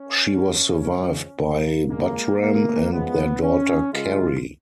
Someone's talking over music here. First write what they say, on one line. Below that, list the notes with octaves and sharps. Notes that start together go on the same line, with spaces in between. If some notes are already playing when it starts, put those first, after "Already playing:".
She was survived by Buttram and their daughter Kerry.
Already playing: C#4
C#3 F3 G#3
A#3
A#2 G#3 A#3
A#3
C#3 F3 G#3 B3
C#4
C#3 G#3 F4